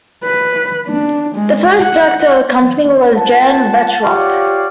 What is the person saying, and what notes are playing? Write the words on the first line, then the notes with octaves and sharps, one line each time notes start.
The first director of the company was Jan Velterop.
B4
D4
G#3
F#5
A#3 F4 F#5 A5
F4 G4 C#5 D5 F5 F#5